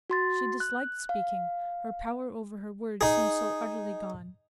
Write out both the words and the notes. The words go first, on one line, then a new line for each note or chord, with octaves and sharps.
She disliked speaking, her power over her words seemed so utterly gone.
F#4 C6 A6
F#6
F5
D#4 G#4